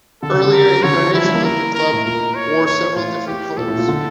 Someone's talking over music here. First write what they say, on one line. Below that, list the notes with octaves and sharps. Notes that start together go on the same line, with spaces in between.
Earlier incarnations of the club wore several different colours.
D3 A4
C#3
D3
A#4
D3 C#5
D3
E3
F3 E4
G3
A#3
A#4
A#4
A2
A#2 A#4
C#5
C#5
A2 F4
G4
A#2 A4
A2
A#2
D3